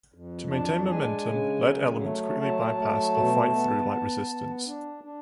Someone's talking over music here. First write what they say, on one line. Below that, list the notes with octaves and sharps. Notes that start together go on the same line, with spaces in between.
To maintain momentum, lead elements quickly bypass or fight through light resistance.
F2
D4 A5
A5
G#3 G#5
C#3
F#3
A3
F#3 A5
A3
B2
B3
B3
B3
D4
D4